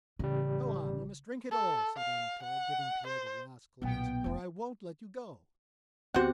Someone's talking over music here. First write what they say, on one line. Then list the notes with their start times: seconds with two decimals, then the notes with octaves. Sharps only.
"Go on, you must drink it all," said Anatole, giving Pierre the last glass, "or I won't let you go!"
0.19 A1 C#3 G3
1.52 A4
1.97 F5
2.43 F#5
3.07 C5
3.82 B1 A#2 B3 G5
4.24 F1 E3
6.14 D2 B3 C4 F#4 G4 C5 F#5